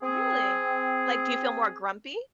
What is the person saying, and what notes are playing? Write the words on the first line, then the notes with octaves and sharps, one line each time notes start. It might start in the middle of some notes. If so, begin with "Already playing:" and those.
Really? Like, do you feel more grumpy?
C4 G#4